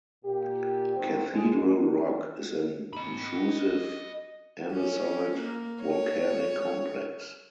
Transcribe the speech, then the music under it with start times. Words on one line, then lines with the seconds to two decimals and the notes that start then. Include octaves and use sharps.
Cathedral Rock is an intrusive andesite volcanic complex.
0.24 A#2 G4
0.95 G#2 D#3 C4
1.32 G#3
2.93 D#5 B5
4.72 C#4
5.38 A#3
5.81 C#5